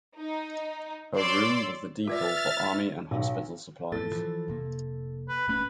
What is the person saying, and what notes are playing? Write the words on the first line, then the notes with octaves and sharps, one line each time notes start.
Her room was the depot for army and hospital supplies.
D#4
C#5 D5 C6 D6 E6
F4 B4 D5 E5 F6 A6
B1
F2 A2 A4 A6
E3 F3
F1 C3 A#3
B4
D1 A3 C#4 B4